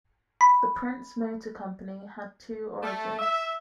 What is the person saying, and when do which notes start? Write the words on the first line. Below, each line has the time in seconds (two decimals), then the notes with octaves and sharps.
The Prince Motor Company had two origins.
0.41 B5
2.83 A3
3.19 E5